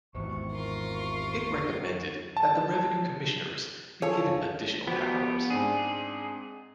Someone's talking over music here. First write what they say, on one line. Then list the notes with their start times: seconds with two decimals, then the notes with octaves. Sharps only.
It recommended that the Revenue Commissioners be given additional powers.
0.15 G#1 E2 C3 C#6
0.53 F4 A#4
2.37 A5
4.02 F3 G#4 A4 C#5
4.87 F3 B3 F#4 G4
5.50 G#2 C4 D4 G#4